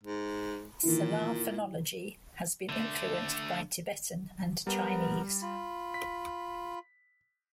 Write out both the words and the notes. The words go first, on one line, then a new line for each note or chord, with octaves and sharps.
Salar phonology has been influenced by Tibetan and Chinese.
G#2
A#2 D#3 E3 E4
D3 A3
G3 B3 A#4
F4 B5
B6